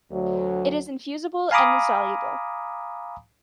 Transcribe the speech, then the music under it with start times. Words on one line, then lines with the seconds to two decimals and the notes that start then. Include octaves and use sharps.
It is infusible and insoluble.
0.12 D2 F#3
1.51 F5 G#5 A#5 B5 D6 D#6